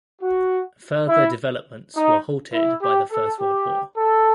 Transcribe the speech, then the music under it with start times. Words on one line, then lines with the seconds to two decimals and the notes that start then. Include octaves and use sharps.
Further developments were halted by the First World War.
0.22 F#4
1.08 E4
1.96 D#4
2.53 E4
2.82 G4
3.11 A4
3.40 G4
3.97 A4